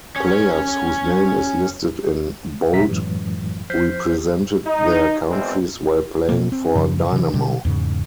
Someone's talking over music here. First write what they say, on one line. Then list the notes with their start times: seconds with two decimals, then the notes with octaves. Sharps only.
Players whose name is listed in bold represented their countries while playing for Dynamo.
0.16 C#4 C#5
2.73 E2 B2 F#3 E5 A#5 B6
2.87 F#2 A2 E3 F#3 G#3
3.70 F3 C5 F6 G6 B6 C7
4.67 D#4
5.29 G#1 E2 B2 G#3 C4
6.29 B2 A#3
6.52 C4
6.75 F#2 C#3 F3
7.12 C3 E3
7.34 B2 D3 G3
7.65 E2 G#2 C#3